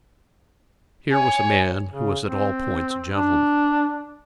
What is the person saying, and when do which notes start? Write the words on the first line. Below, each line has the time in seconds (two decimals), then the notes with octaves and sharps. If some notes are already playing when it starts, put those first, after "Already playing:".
Here was a man who was at all points a gentleman.
1.12 C#5 G#5
1.90 C#3
2.25 C4
3.14 D4